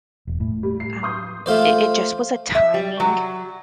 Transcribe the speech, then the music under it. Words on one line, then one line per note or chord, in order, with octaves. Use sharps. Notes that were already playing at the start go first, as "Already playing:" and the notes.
um, i it just was a timing
E1
A2
G3
C7
C6 D#6 G6
A3 F4 C5 D5
E5
G3
F#3